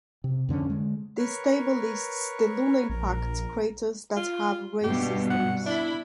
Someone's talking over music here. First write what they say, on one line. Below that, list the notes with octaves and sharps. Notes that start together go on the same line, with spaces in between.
This table lists the lunar impact craters that have ray systems.
C3
F2 D3 A#3 C#4
D3 G#3
A#4 B4 C#5
A#1 A#4
F4
G2 B2 G4
F#5
D4 E4 B5